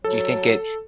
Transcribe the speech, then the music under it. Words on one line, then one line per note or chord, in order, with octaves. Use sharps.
Do you think it
F#3 A4